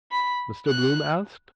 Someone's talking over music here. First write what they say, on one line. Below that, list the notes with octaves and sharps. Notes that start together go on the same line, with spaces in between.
Mr Bloom asked.
B5
F#6